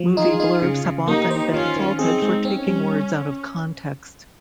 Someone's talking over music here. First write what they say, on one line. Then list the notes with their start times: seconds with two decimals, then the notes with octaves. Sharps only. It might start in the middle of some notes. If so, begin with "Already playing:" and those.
Movie blurbs have often been faulted for taking words out of context.
Already playing: F3
0.17 D#4 F4 G#4
0.40 D#4
0.62 C#3
0.85 C#3
1.07 A#3 D#4 G4
1.31 C5
1.53 D#3 C#4 F4
1.76 D#3
1.99 C4 D#4 G#4
2.22 G#3
2.44 C4 C#4
2.67 G3